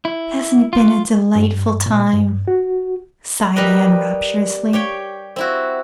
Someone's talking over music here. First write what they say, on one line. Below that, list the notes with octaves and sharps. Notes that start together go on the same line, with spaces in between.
"Hasn't it been a delightful time?" sighed Anne rapturously.
E4
F4
G2
A#2
G2
F#4
G3 G4 A#4 B4 D#5
G4 C#5 G5
C4 E4 F#4